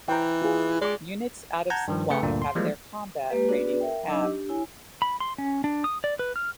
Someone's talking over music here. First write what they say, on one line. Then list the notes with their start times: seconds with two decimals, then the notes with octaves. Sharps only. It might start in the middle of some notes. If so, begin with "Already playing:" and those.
Units out of supply have their combat rating halved.
0.08 E3 G5 A#5
0.42 F4 G#4
0.81 G#3 D5 D6
1.70 F#5 A5 A#5 G6 G#6
1.88 G2 D#3 F3
2.10 C#3 A3 B4 G5 C#7
2.23 D2 G2 A#2 D3 A#3
2.42 C6
2.55 E3 F3 G3 G#3 A#3
3.30 G#3 A#3 G4 B4
3.48 B3 D4 F#4 G#4 B4 D5
3.80 A#4 E5 G5
4.07 F#3 D4 D#4 D#5 D6 E6
4.22 D4 G4
4.49 E4 C#5 G#5
5.02 B5
5.20 C6
5.38 C#4
5.64 D4
5.84 D#6
6.04 D5
6.19 B4
6.36 F6